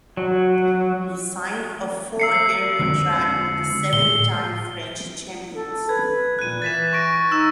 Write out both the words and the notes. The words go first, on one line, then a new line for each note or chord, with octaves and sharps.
He signed a four-year contract with the seven time French champions.
F#3
E6 C7 C#7
D3 G#3 C4
A2 G7
A4
B4 G#6
A#2 F#6 D#7
E3 A6 B6 E7
C#6 A#6 D7
D#4 E6 E7